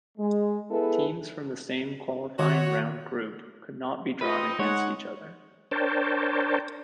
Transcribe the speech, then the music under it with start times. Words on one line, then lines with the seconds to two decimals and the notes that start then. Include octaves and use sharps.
Teams from the same qualifying round group could not be drawn against each other.
0.18 G#3
0.70 B3 E4 G#4 A4 B4
2.39 D#3 F#4 C#5
4.21 C4 D#4 F4 B4 D#5
4.59 G#3 D#4 C#5 F#5
5.71 D4 A#4 C5 C#5 G5 A5